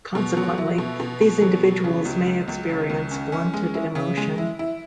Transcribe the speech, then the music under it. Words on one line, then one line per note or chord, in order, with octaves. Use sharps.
Consequently, these individuals may experience blunted emotion.
B2
F#3
E4
B2
B2
B2
F#3
B2
C#3
C#2
C#2
C#2
C#3
C#2
C#4
C#4
G#3
E4
C#3
G#3
E4
E4